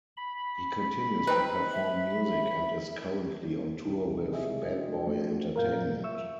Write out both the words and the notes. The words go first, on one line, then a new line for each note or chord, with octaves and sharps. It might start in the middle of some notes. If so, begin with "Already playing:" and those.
He continues to perform music and is currently on tour with Bad Boy Entertainment.
B5
C4 D#4 B4
E5
C2 D#4
G#4 D#5 E5
C4 D4 F#4
A3
F#2 A#2 A#4 F5 G6
E5 C#6 E6